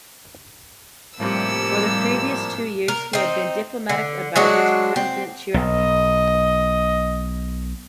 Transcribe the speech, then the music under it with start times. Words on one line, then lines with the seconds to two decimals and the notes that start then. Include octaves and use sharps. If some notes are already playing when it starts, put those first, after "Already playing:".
For the previous two years he had been diplomatic adviser to President Chirac.
1.19 A2 C3 F3 G3 A#3 E6
2.88 A#4
3.13 C4 D#4
3.89 D3
4.36 F#3 G#3 D4 F#4
4.96 C4
5.54 B1 D#5